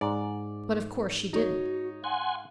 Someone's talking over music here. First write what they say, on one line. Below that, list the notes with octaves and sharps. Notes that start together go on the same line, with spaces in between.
But of course she didn't.
G#2 D5
D#4 F#4 C#5
F5 F#5 G#5 C6